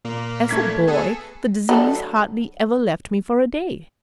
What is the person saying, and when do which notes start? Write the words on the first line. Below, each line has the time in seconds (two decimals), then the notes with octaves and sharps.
As a boy, the disease hardly ever left me for a day.
0.05 A#2 A#3
0.49 A3 G#6 B6
0.88 B3 G#4 A4
1.69 F#3 A3 D4